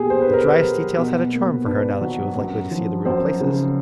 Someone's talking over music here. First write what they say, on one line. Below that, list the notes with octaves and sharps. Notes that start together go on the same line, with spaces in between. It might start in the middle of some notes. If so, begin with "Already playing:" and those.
The driest details had a charm for her now that she was likely to see the real places.
Already playing: B2 A#3 G4 G#4
C5
B4
D4
A#4
B4
F#3
B2
A#3
D4 B4
F#3
F#2
F3
F#2 C5
C#3